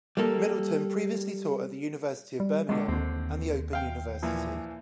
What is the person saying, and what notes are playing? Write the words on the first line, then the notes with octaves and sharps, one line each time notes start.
Middleton previously taught at the University of Birmingham and the Open University.
G3 A#3 A4
G3
C#2 D3 G#3
D#2 D3 C4
F5 G5
A#2 E3 F3